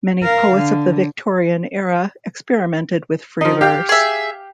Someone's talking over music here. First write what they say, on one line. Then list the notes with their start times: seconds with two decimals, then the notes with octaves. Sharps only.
Many poets of the Victorian era experimented with free verse.
0.23 A#4 F5
0.55 D3
3.41 F3 D#4
3.61 G4 F5 G5
3.89 G#4 E5